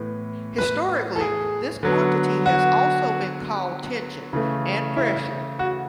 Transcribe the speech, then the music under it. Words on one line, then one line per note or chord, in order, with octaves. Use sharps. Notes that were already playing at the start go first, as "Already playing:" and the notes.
Historically this quantity has also been called "tension" and "pressure".
Already playing: A2 E3 B3
B4
A4
G#4
D3 F#3 B3
F#4
C#3 E3 A3
E4
F#4